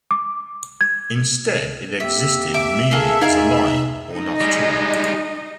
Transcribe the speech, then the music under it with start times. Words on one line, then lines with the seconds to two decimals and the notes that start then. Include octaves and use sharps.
Instead it existed merely as a line, or not at all.
0.11 D6
0.81 G#6
2.00 F2 A#3 G4 E5
2.54 E5 D6
2.91 A#3 G#4 A4
3.21 E2 D#4 F4 G#4 A#4
4.11 D#4 D#5
4.41 G3 G#3